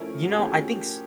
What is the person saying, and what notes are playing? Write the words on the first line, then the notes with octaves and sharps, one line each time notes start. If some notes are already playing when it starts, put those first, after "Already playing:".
You know, I think s
Already playing: F3 A3 C#4 E4 A#4
F#4
G4
F3 A3 C#4 E4 G#4